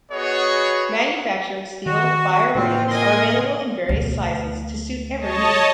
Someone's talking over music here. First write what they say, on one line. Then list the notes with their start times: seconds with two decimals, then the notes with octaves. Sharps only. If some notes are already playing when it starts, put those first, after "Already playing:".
Manufactured steel fire rings are available in various sizes to suit every need.
0.12 B3 F#4 G#4 C#5 D#5
1.86 D#3 F#4
2.55 A2 C#3 A#3 C4 F4
2.88 A#4 D#5 G#5 C6
3.89 D2 B2
5.16 C#5 D#5 A5